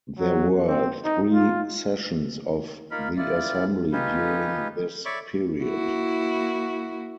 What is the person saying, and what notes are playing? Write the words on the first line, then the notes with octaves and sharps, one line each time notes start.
There were three sessions of the assembly during this period.
F#3
C4
D#4
F4
A#3 D#4 F4 A#4 B5
E4 F4 D5
D#4 F4 G4 G#4 B4
C#5 D5 E5 B5 C#6 D6
A#3 E4 F#4